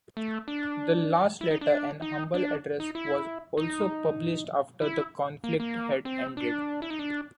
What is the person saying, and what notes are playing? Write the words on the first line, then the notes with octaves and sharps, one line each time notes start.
The last letter, "An Humble Address", was also published after the conflict had ended.
A3
D4
E4
D#4
D4
D#4
D4
D#4
E4
D#4
E4
A#3
A#3
C4
D4
E4
D#4
D4